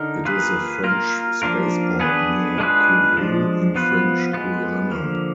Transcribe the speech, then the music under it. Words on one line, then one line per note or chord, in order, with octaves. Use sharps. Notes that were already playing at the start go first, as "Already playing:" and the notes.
It is a French spaceport near Kourou in French Guiana.
Already playing: D3 D#4 A#4
A#3 F4 G#4 B4
A#3 F4 A#4
F3 A#3 D4 F4 A#4
B3 D4 G#4 B4
G#3 D4 F4 G#4 B4
F3 G#3 D4
F3 B3 F4 B4
G#3 B3 F4
D3 F3 A#3